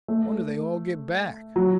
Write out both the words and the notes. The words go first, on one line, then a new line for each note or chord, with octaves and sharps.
Wonder they all get back.
A3
F#3